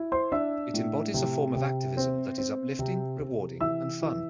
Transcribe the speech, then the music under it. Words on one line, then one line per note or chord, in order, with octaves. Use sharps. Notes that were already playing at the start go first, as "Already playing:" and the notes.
It embodies a form of activism that is uplifting, rewarding and fun.
Already playing: E4
C5 C6
D4 E5 E6
A2
C3
C3
C4
C4
C3
C3
E3 E5 E6
E3